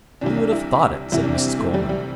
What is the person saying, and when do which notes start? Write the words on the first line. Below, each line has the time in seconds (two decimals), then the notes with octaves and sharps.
"Who would have thought it?" said Mrs. Coleman.
0.21 C2 C3 E3 D4
0.36 D4
0.52 E4
1.12 C2 C3 E3 E4
1.24 D4
1.35 C4
1.59 A3
1.74 G3
1.89 G3